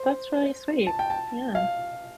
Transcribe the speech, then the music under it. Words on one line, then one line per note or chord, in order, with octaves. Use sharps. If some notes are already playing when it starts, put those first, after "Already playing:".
That's really sweet, yeah.
Already playing: C5
A5
G5
A5
F5